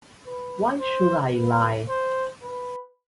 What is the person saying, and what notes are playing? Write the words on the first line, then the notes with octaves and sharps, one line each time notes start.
Why should I lie?
B4
C5
B4
C5
B4